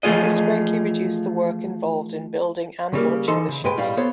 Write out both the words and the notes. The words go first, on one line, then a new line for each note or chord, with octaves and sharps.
This greatly reduced the work involved in building and launching the ships.
E3 F3 A3 F4 G#4 D#5
C#3 G3 A#3
E3 D#4 A4 C6
C#3
G2 G#3 B4 G5
B1 A2 G3 D5 F5 G5
B3 F#4 A4 C5 C#5